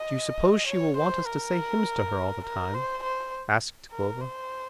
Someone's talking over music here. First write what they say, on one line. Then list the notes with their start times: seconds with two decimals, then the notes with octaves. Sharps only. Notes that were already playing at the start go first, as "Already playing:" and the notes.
"Do you suppose she will want us to say hymns to her all the time?" asked Clover.
Already playing: D#5
0.67 C#5
0.97 C5
1.26 A#4
2.44 A#4
2.74 C5
3.03 C5
3.92 A#4
4.21 C5